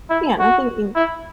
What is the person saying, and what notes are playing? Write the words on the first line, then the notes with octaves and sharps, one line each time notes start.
Yeah, and I think in
E4
F#4
E4